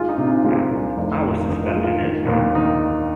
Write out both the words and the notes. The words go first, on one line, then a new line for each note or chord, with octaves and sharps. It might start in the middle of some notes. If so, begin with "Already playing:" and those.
I was suspecting it!
Already playing: G#1 G#3 F4
D#4
C3
D#4
G#3 F4
C2
F1
D#3
D#3 D#4
F4
G#3
F4
D#3
D#2
D#3 D#4